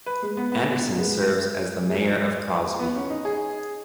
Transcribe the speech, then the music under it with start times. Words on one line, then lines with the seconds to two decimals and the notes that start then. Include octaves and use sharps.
Anderson serves as the mayor of Crosby.
0.06 B4
0.23 G#3
0.37 B3
0.52 B3
0.75 B3
0.98 G#3
1.89 G#3
2.79 B3
2.95 C#4
3.10 D#4
3.25 G#4